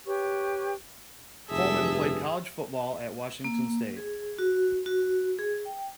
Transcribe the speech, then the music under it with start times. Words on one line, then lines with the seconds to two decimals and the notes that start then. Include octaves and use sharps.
Coleman played college football at Washington State.
0.05 G4 B4 C#5 C#6
1.50 F1 G2 G#4 A4 E5
3.44 A#3
3.97 G#4
4.39 F#4
4.86 F#4
5.39 G#4
5.65 G5